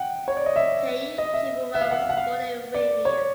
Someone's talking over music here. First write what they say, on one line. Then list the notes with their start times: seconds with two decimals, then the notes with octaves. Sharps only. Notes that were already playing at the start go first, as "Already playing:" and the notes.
Ka‘iu Kimura was born in Waimea.
Already playing: F#5 G5
0.28 C#5
0.37 D5
0.46 D#5
0.56 E5
1.18 D#5
1.34 E5
1.75 E5
1.81 F5
1.91 F#5
2.02 F5
2.10 F#5
2.17 F5
2.74 D5
3.05 C#5